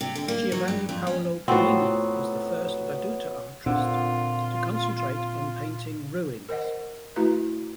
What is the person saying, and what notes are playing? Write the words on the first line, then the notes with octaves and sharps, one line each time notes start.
Giovanni Paolo Pannini was the first veduta artist to concentrate on painting ruins.
C3
D3
A#3
F#3
G2
F2
C#4
A2 F#3 B3 C4 F4 F#4 C5
A#2 D3 C4 F4
A#4 C5 D#5 F#5
A3 E4 F#4 B4 F5 A#5